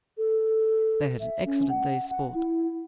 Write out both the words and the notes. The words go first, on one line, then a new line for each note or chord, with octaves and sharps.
They had an excellent day's sport.
A4
E5
C#4
F#5
F#5
E4